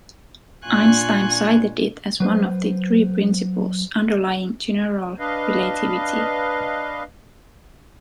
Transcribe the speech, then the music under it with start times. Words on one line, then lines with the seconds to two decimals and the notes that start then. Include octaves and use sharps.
Einstein cited it as one of the three principles underlying general relativity.
0.66 A#2 D4 F4 G#5 C#6 F#6
2.20 F#3 B4 C5
5.18 D4 B4 D#5 F5